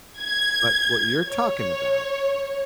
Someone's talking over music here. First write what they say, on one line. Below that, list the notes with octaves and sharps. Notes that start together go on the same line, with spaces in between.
but what you're talking about
G#6
C#5